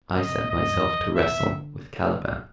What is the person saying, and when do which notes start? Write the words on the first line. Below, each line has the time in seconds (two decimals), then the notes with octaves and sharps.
I set myself to wrestle with Caliban. . . .
0.17 B2 D#5
0.28 C3
0.39 A#2
0.50 A2 D#5
0.58 G#2
0.67 G2
0.75 F2
0.83 E2
1.00 F2
1.15 G2 E5
1.23 A2
1.31 B2
1.40 D3